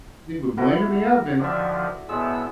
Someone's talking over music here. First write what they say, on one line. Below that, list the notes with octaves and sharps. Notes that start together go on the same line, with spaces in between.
see, we're blaming the oven.
E4 F#4 A4
D3 D#3 F3 D5 E5
A2 G#3 B3 E6